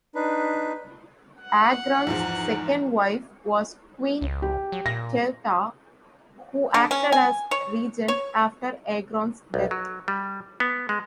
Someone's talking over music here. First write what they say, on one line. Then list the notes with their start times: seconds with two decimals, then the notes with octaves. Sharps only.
Agron's second wife was Queen Teuta, who acted as regent after Agron's death.
0.15 D4 D#4 B4
1.39 F#5
2.07 E2 G#2 F3
4.21 C#2
4.42 G4
4.72 F#3
4.86 A#2 A#6
6.74 D3
6.91 C#4
7.12 G#5
7.51 C#5
8.08 C#5
9.54 B1
9.71 F#3
10.08 G3
10.60 B3
10.89 G#3